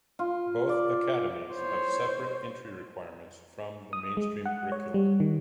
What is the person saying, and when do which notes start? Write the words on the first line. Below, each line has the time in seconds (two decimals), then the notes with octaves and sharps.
Both academies have separate entry requirements from the mainstream curriculum.
0.19 F4
0.69 D5
1.53 C5 C#5
3.93 D#6
4.17 G#3
4.46 F#5
4.72 C#5
4.94 G3
5.20 D#3